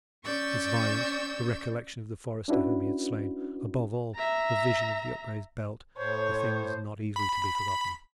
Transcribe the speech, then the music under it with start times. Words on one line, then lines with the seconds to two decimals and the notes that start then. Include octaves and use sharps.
His violence, the recollection of the forester whom he had slain--above all, the vision of the upraised belt, were things not easily to be forgotten.
0.24 C#4 D5 C#6 E6 G6
2.48 C#4 D4 E4 F#4 B4
4.16 E5 A#5
5.98 A2 C5 C#5
7.16 B5